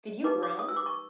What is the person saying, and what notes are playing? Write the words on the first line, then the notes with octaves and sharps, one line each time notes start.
Did you groan?
D#4 G4 B4 D6
D6
D#6
E6
D6
C#6